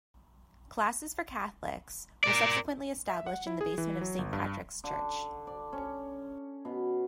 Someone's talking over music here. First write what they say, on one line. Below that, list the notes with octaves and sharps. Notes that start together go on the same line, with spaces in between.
Classes for Catholics were subsequently established in the basement of Saint Patrick's Church.
A#4 D5
E5
F#5
E4
G#4
E3
F#3
G1
G2
D3
D5
C#4
B2